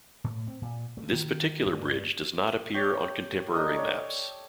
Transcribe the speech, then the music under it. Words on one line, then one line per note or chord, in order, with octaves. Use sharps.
This particular bridge does not appear on contemporary maps.
A2
C4
A#2
A3
D#3
G2
G4 C#5 G5
D4 D#4 A4 D#6
C#5 D5